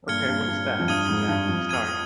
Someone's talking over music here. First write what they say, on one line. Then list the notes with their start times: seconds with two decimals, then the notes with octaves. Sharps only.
Okay, what's that exactly? Sorry.
0.08 G2 A#2 F6 G#6 C#7 G7
0.28 G2 A#2
0.48 G2 A#2
0.79 F2
0.88 G2 D#6 G#6 D#7 G7
1.09 F2 G#2
1.28 G2
1.49 F2
1.69 D#6 G#6 D#7